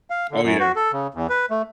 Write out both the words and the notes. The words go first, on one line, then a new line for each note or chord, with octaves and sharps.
Oh yeah.
F5
D3
F#2
F#4
A4
C#3
E2
B4
A3